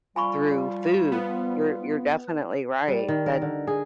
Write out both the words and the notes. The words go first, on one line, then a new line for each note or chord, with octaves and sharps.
through food. You're you're definitely right. That
F3 G3 F4 G#5 B5 C#6
B3
G3
D#3
A#4
D3
G#4